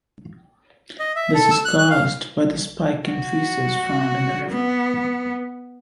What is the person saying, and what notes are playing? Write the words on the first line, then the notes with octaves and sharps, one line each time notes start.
This is caused by the spike in fesces found in the river.
D#5
E5
A4
E6
F#6
F#6
F5
F#4
B3